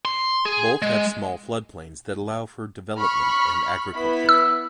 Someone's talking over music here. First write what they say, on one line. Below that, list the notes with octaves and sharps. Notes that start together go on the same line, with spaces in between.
Both have small floodplains that allow for development and agriculture.
C6
G#4
G#3
B5 C#6 F6
B3 E4 B5
E6